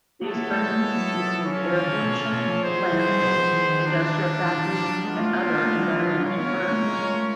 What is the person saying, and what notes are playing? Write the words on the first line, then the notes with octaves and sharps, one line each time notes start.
These burdens include air pollution, landfills, industrial factories, and other environmental burdens.
A#3 B3 E4 A4 C#5
A#3
A3
G#3
A3
G#3
F#3
A#3 C#4 F4 A4 C#5
E3
D3
B2
B2
F3
B3 D#4 G#4 C5
F#3
G3
F#3
F3
E3
D#3
G3 A#3 D4
E3
E3
F#3
F3
F#3
G#3 B3 D4 F4 A#4
A3
A#3
A#3
A3
G3
F3
F#3
G3 C#4 F4 A#4 C#5
B3
A#3
A3
G#3
G#3
A3